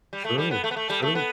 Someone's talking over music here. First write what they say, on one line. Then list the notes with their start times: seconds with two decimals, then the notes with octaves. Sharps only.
True, true,
0.13 G3
0.25 A3
0.38 G3
0.51 B3
0.64 A3
0.71 B3
0.76 A3
0.90 G3
1.02 A3
1.15 B3